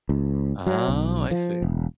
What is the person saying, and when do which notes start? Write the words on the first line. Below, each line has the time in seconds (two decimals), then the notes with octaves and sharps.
Oh, I see.
0.09 C#2
0.66 F#3
0.88 B1
1.31 F3
1.62 E1